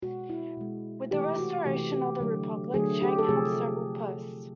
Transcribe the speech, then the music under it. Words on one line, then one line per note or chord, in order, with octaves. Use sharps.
With the restoration of the Republic, Chang held several posts.
B2 G#3 F#4
E4
B2 G#3
C3 E3 A3 G4
F#4
C3 E3 A3 G4
G4
D3 F#3 A3
D3 F#3 A3 G#4
G4
A4
C3 F3 A3 G#4